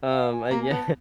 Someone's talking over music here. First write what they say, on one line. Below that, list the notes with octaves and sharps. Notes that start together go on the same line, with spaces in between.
Um, uh yeah.
F5
G#5
A#3 A#5
G#5
B3 A5